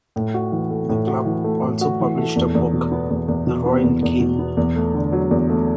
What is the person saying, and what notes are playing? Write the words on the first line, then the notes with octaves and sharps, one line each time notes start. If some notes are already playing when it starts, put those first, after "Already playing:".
The club also published a book, "The Royal Game".
A2
F#4
E3
A3
A2
F#4
E3
A3
A2
F#4
E3
A3
E2
E2
B2
B3
E2
E2
B2
B3
E2
E2
B2
B3
E2
A3
D3
F#3
E2
A3